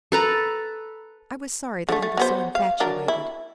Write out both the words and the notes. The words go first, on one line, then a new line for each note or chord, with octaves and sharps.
I was sorry that he was so infatuated.
A4 B4 A#5
D3 A3
A3
F#3 B3 C5
F5
F#3 D4 A#4
E4